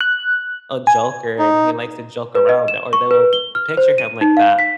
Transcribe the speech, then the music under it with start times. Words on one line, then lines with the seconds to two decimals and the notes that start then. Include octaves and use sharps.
a joker and he likes to joke around, or they will picture him like that.
0.01 F#6
0.87 G#5
1.39 D#4
2.35 B4
2.49 D#5
2.68 E7
2.93 C#6
3.11 B4
3.33 G7
3.55 F6
3.77 C5
3.98 D#7
4.21 D#4
4.37 F5
4.59 B6